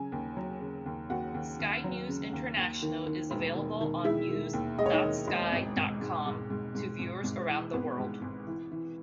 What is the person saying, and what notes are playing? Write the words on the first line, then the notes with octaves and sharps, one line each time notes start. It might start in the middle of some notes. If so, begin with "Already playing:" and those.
Sky News International is available on news.sky dot com to viewers around the world.
Already playing: C#3 F#3 G#5
D#2
F#3
C#3
D#2
D#2 F#4 F#5
D#2
D#2
F#3
C#3
D#2
D#2
D#3
D#3
E1
D#3
D#3
G#3 E4 E5
D#3
D#2
G#3 D#5
C#5
D#4 D#5
D#3
E1
G#1
G#1
G#2
G#2
G#2
G#2
G#1
G#1
E3
G#1 B3 B4
G#2
G#1
E3
E3